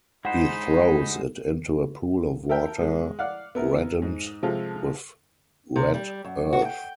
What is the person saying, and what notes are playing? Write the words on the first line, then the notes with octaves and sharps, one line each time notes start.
He throws it into a pool of water reddened with red earth.
G#3 D#4 C5 F#5 B5
A4 A#4 E5 G5
G#3
D5 F5 F#5
B3 E4 A#4
G#2
C3 F3 G#3 F4 A4
C3
G3
F#2
F#4
G5